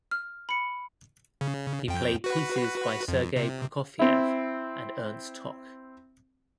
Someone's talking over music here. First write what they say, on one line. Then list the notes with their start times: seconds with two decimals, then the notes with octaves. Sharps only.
He played pieces by Sergei Prokofiev and Ernst Toch.
0.11 F6
0.49 B5 C#7
1.41 C#3
1.88 F2 G5
2.24 F#4 B4
3.08 F2
3.36 C3
3.99 C4 E4